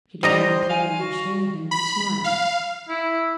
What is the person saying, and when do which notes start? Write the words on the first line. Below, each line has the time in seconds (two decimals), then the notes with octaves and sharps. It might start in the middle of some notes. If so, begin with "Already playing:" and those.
She did not appear to understand him, but smiled.
0.23 G3 C5 D#5 A#5
0.70 F5 G#5
0.98 F#4
1.71 B5
2.24 F5
2.89 E4